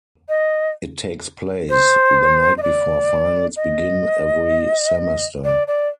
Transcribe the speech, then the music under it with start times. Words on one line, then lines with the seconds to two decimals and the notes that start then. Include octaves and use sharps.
It takes place the- night before finals begin every semester.
0.28 D#5
1.69 C5
2.57 D#5
2.62 D5
3.56 D#5
5.44 D5
5.67 D5